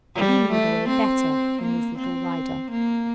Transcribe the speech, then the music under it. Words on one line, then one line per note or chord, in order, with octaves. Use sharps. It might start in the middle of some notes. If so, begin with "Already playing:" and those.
He knew the way better than his little rider.
G3
A3
C4
A#3
C4
A#3